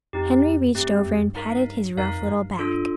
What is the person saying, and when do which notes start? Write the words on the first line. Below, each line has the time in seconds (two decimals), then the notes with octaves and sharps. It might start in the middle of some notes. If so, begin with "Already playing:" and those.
Henry reached over and patted his rough little back.
0.13 F2 C4 D#4 G4
0.75 G2 A3 C4 G4
1.05 F2
1.16 F2
1.26 G2
1.36 D#4 A#4 F5
1.97 F2 D#4 A#4 F5
2.21 F2
2.28 G2
2.59 D4 F4 A4